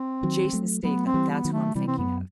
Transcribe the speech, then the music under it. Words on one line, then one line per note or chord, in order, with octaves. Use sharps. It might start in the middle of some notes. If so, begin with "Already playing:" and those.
Jason Statham, that's who I'm thinking of.
Already playing: C4
D#3 F#3
G3
F#3 A3
F#3 A3 B3
C4
E3 G3
B3
D#3 F#3
A3
C3 E3 G3
C4
F#2 B3